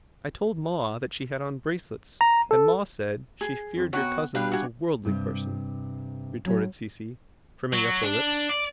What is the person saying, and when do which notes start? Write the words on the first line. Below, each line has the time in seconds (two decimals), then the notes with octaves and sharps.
"I told Ma that she had on bracelets, and Ma said she feared your cousin was a worldly person," retorted Cecy, primming up her lips.
2.21 A#5
2.51 A4
3.41 G#4
3.76 F2
3.93 C3 B3 F#4 C#5 F#5
4.35 G3 D4 G4 B4 F5
4.52 F#4 G#5
5.05 G2 C3
6.45 F#3 C#4 E4
7.73 F#3
8.03 D4
8.49 D5